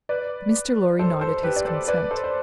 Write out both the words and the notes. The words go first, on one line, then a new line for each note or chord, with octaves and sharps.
Mr. Lorry nodded his consent.
B4 D5
A4 C5
A4 C5
G4 B4
D5
A4 C5
B4 D5
A4 C5
C5